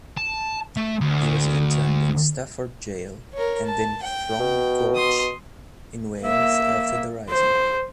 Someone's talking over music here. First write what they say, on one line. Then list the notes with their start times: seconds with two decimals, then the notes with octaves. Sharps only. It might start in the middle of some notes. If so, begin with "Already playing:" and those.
He was interned in Stafford jail and then Frongoch in Wales after the Rising.
0.18 A5
0.76 A3
1.01 D2
3.34 A#4 C#5
3.65 A5
4.03 G5
4.40 B2
4.95 C6 D#6
6.21 A#3 E5
7.29 C5